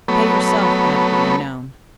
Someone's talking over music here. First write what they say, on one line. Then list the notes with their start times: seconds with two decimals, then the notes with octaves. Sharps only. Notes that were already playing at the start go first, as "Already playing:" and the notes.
"Pay yourself," added the unknown.
0.08 F#3 A3 B3 C#5 B5